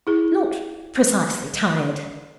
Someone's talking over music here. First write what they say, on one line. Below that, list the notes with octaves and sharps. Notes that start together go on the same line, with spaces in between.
'Not precisely tired.
E4 G#4